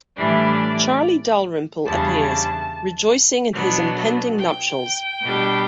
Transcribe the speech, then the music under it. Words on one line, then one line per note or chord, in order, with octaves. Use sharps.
Charlie Dalrymple appears, rejoicing in his impending nuptials.
A2 E3 G3 D4 D5
E2 C#3 G3 D4 A5
B2 F#3 B3 D4
G5
B2 G3 D4